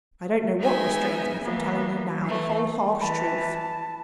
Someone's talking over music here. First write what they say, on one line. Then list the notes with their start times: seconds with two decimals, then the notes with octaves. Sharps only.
I don't know what restrains me from telling you now the whole harsh truth.
0.59 G#3 B3 D#4 E5 G#5
1.43 E3 A#3 B3
2.23 E3 A3
3.01 E3 A5 B5